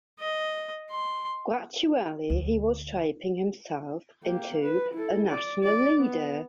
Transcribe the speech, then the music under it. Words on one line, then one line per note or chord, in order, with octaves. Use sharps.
Gradually, he was shaping himself into a national leader.
D#5
C6
D2
A#3 G4
B4
E4 A4
D5
D5
B3